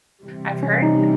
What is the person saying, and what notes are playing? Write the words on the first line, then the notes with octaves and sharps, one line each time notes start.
I've heard
C3 E3 G3
C#4
D#4